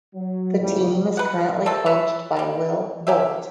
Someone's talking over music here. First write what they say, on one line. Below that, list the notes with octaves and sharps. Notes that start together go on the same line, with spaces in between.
The team is currently coached by Will Bolt.
F#3
E2 A2 C#3 F3 G3
B4 F#5
A3 A#3 C4 A4
E4 B4 C#5 E5
D#3 G3
C#4 G4 E5